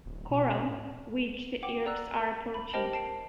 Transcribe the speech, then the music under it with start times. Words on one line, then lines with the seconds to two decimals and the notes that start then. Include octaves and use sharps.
Corral, which the Earps are approaching.
0.06 D1
0.31 B2
0.68 A2
1.63 F#5 G5 D6
1.86 D5 A#5 E6 F#6
2.14 A#4
2.54 B5
2.73 G4 A#4 C5 D#5 G5 A5
2.93 A5 C7 D7